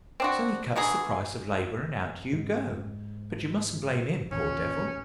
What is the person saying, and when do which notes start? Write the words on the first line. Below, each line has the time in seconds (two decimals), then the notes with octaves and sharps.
So he cuts the price of labour and out you go. But you mustn't blame him, poor devil.
0.20 C4 D4 F#4
0.76 D3 E3 F#3 G#4
2.33 G#2
4.31 A1 D#2 A#2 C#4